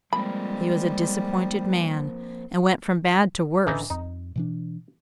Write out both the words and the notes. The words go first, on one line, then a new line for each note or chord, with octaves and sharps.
He was a disappointed man, and went from bad to worse.
F3 G3 G#3 A#3 C4 B5
A1 D3 E3 D4 D#4
F2 D#4
B2 E3 D4